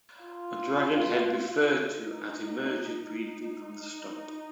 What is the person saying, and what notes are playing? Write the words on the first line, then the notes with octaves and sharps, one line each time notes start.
A dragon head referred to as emerges briefly from the stump.
F4
D#4
D#4